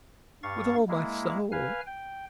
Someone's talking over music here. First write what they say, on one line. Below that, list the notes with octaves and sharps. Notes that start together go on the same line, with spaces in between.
"With all my soul."
G2 F5 C#6 A6
G#3 A#3 E4
B4 F5 G#5 F6
G5